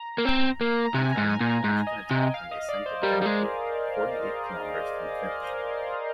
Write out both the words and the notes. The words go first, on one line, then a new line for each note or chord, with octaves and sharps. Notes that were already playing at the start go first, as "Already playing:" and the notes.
Pantani launched an attack on the ascent of Galibier, forty-eight kilometers from the finish.
Already playing: A#5
A#3
C4
A#3
A#5
C3 G#5
G#2 A#5
G#5
A#2
A#5
G#2
D#5
C3 G5
F5
D#5
D5
C5
G3 A#4
G3
G#3 G#4